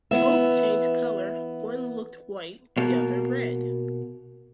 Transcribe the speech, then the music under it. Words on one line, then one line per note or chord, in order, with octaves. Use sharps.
Both changed colour, one looked white, the other red.
E3 B3 E5
B2 A#3